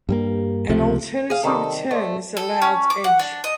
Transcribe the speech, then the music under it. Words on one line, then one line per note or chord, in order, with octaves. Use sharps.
An alternative term is allowed edge.
G2 G3 A#3
C#2 C3 F3 A3
G#4 F5
C3 D#3 G3 A4
A3 C5 D5 D#5
A4
C#4
D6
F#5
D4
D#5